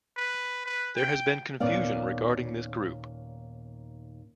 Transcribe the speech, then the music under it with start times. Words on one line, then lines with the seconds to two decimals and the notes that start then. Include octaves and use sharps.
There has been confusion regarding this group.
0.17 B4
0.66 B4
0.96 G5
1.60 D#2 A#2 B3 C#4 D5 F5